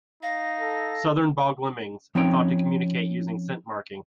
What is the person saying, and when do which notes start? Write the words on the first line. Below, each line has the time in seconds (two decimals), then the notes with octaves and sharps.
Southern bog lemmings are thought to communicate using scent marking.
0.23 D#4 F5 A#6
0.60 A4
2.15 F3 C4 C#4 D#4 G5